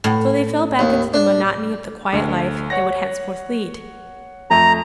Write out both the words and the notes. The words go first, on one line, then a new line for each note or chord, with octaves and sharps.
So they fell back into the monotony of the quiet life they would henceforth lead.
A2
D#2
D4
D2
C#5 F#5 A#6
F2 A3 A#5